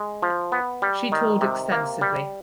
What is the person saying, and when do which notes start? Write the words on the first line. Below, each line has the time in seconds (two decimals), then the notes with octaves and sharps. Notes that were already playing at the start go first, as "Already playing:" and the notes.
She toured extensively.
Already playing: G#3
0.22 F3
0.52 B3
0.82 G3
1.12 D#3
1.41 C3
1.72 A#3
2.01 G3